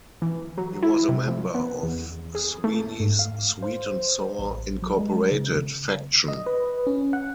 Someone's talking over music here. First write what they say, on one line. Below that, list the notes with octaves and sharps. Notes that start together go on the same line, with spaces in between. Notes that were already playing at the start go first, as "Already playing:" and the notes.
He was a member of Sweeney's Sweet 'n' Sour Incorporated faction.
E3
F#3
E4
C3
F3
B3
E2
G#4
A3
G#2
F5
C5
C5
A1
F#3
G#3
C#3
D#5
B4
C#4
F#5